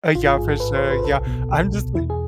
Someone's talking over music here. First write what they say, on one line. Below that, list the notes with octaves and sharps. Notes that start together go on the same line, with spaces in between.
Uh, yeah, for sure. Yeah, I'm just li
A1 F4
F4
G#2 G#4
A4
A1 B4
C5
A1
B4
C2 A4
B2
C2
B2
E2 E4
G#4